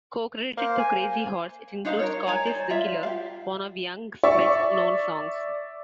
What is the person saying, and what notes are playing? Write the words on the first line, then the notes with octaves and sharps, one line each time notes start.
Co-credited to Crazy Horse, it includes "Cortez the Killer," one of Young's best-known songs.
A#3 C5
G#5
D4 D#4 C5 F5
A#4 C#5
C#5 G#5 A#5
C5 D5
F4 D5 E5
G4 F5
D5 E5 C#6